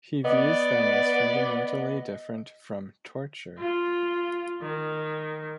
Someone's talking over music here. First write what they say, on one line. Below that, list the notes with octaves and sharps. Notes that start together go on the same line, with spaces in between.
He views them as fundamentally different from 'torture'.
B3 D5 D#5
F4
D#3